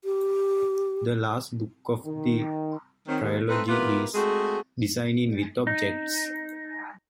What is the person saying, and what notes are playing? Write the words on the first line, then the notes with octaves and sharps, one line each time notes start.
The last book of the trilogy is "Designing with Objects".
G4
D#3
D#3 F#3 C4
D#2 D#3
A3 C4 D#4 A4 B4
B3 E4 F4 G4 A#4 B4
G#3 A3 C4 F#4 G#4
D#4